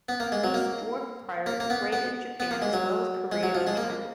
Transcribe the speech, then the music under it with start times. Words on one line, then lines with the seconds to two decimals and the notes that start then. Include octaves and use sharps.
These "dwarf pirates" raided Japan as well as Korea and China.
0.09 B3
0.20 A#3
0.32 G#3
0.44 F#3
0.54 A#3
1.46 A#3
1.60 A#3
1.70 B3
1.93 B3
2.40 B3
2.51 A#3
2.62 G#3
2.73 F#3
3.32 G#3
3.43 F#3
3.55 F3
3.67 G#3
3.77 A#3